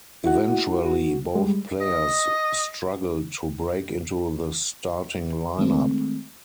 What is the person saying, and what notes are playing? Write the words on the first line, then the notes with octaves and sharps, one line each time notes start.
Eventually, both players struggled to break into the starting lineup.
E4 F#4 F#5
F#4
G3 G#3
D#5
D#3 G#3 A3 C4